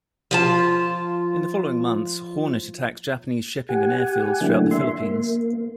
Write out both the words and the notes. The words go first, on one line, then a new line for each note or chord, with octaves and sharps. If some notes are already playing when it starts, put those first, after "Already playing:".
In the following months, "Hornet" attacked Japanese shipping and airfields throughout the Philippines.
F3 F4 A5
G4 F#5 G#5
D3 F#3 A3 A#3 D4 E4
E5 C6
A#3